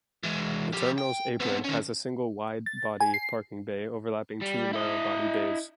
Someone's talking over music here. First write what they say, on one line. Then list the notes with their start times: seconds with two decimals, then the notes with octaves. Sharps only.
The terminal's apron has a single wide-body parking bay overlapping two narrow-body bays.
0.24 E3 G#3
0.73 F3 G4
0.98 G5
1.40 C3 B3
1.65 D#3 C#4
2.66 A6
3.00 G#5
3.14 C7
4.42 G3
4.73 E4 D#5